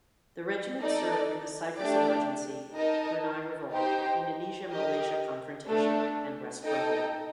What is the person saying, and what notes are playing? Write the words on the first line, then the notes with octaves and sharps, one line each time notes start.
The regiment served in the Cyprus Emergency, Brunei Revolt, Indonesia-Malaysia confrontation and West Berlin.
D#4 A4 D5
A3 D4 G4 D5
D#4 A#4 D#5 A5
D#4 G4 C5 G5
G4 A#4 D#5
A3 D4 A4
D#4 A4 D#5 G5